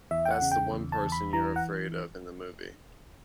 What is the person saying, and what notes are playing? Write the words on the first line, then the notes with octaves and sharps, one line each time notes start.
That's the one person you're afraid of in the movie.
E2 E5
G5
F#5
C#3
G5
E2
A5
E2
B5
E3 A#5
F#5